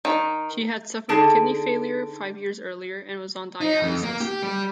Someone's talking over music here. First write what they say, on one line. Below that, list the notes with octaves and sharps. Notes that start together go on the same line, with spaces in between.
She had suffered kidney failure five years earlier and was on dialysis.
D#3
D3 D#4 G#4 A4 A5 D7
D#4
F2
A#3
G4
G3